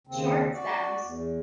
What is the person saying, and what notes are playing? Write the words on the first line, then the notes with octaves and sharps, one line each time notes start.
Short stems.
D#2 C#3 C4
F#4 D5
E2